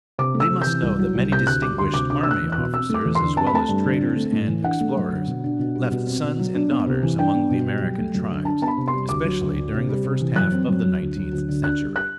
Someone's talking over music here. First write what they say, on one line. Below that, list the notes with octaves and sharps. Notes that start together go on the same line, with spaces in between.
They must know that many distinguished army officers as well as traders and explorers left sons and daughters among the American tribes, especially during the first half of the nineteenth century.
C3 D6
A3
E6
C3
E3 G6
C2
F#3
C2
C3 G6
D2 F#6
G3 D6
D2 C6
C3 D6
D4 D6
E6
A3 F#6
E2
F#6
B2
C4 E6
A3 D6
E2
C6
D3
C4 A5
B5
A3 A5
G2
D3
C4
A3
A2
E3
D4 F#5
A3
F#2
D3
B2
D4
B2
G3
B2
C4
B2
F#3
D4
B3
C3
E3
D4 G5
B3
B2
G3
F#2
A3
F#2
D3
D4 A5
B3 A5
B5
C3
C6
G3
D2 D6
F#3
D2
D3
C3
G3
C3
E3
F#2 F#6
C4
F#2
F#3
D2
F#3
D2
D3
D4 F#6
G3
F#6